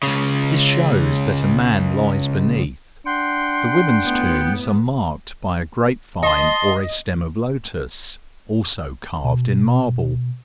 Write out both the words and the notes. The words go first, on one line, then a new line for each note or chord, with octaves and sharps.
This shows that a man lies beneath; the women's tombs are marked by a grapevine or a stem of lotus, also carved in marble.
C#2 C#3
D4 F#5 G5 C6
A2 B3
D#5 A5 C6
B2